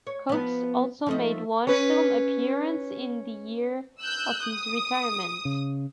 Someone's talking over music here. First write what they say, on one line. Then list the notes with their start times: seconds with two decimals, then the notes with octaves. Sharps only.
Cokes also made one film appearance in the year of his retirement.
0.07 C#5
0.29 F3 B3
1.06 F3 A3 D#4
1.67 C#4 B4
4.00 E6 F#6 G6
4.45 D#6
5.45 C#3